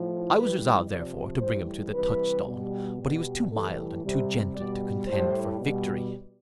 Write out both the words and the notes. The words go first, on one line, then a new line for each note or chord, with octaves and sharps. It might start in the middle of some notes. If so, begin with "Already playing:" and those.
I was resolved therefore to bring him to the touch-stone; but he was too mild and too gentle to contend for victory.
Already playing: A2 F3
A2 E3 G3 B4
C3 F3 D5
A2 E3 G3 C5
C3 E3 G3 B4
B2 G3
B2 G3
A2 E3 G3 A4
C3 G3
B2 G3 D5
A2 G3 C5
B2 G3